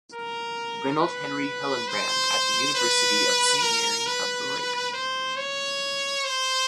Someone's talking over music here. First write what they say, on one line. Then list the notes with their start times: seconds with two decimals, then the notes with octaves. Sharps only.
Reynold Henry Hillenbrand at the University of Saint Mary of the Lake.
0.13 A#4
1.01 B4
1.88 C5
2.75 B4
3.62 A#4
4.06 B4
4.94 C5
5.37 C#5
6.25 C5